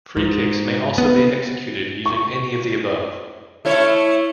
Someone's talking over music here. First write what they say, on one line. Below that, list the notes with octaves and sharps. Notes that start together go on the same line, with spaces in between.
Freekicks may also be executed using any of the above.
G#2
B3
C#6
A3 E4 C#5